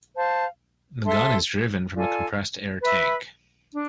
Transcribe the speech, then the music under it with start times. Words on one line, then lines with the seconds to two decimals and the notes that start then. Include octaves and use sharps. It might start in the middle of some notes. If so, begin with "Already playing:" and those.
The gun is driven from a compressed-air tank.
0.15 C5 F5 A5
1.04 A4 E5 A5 C6
1.94 F4 A4 D5 G#5
2.83 B4 E5 B5
3.74 D4